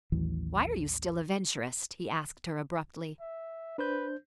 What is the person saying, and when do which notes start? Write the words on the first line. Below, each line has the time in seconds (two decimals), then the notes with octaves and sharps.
"Why are you still a Venturist?" he asked her abruptly.
0.12 A1 D#2 E3 F#3
3.20 E5
3.78 D4 B4 C5 G6